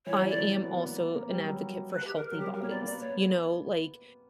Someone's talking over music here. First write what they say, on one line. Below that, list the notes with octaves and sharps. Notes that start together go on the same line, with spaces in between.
I am also an advocate for healthy bodies, you know? Like,
E3 C#5
E3
D5
F#3
B3
B3
A#3
B3
A#3
G3
F#3
B4
G4
A#4
F#3 A#4
G3 G4
A#4
A#3 C#5
B3 D5
A#3 D5
B3
A#3 C#5